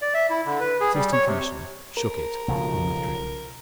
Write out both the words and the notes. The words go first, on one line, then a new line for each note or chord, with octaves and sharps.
The Assistant Commissioner shook it, and withdrew.
D5
E5
E4
D3
B4
G#4
G3
C#5
C3
A#4
B1 C#3 F3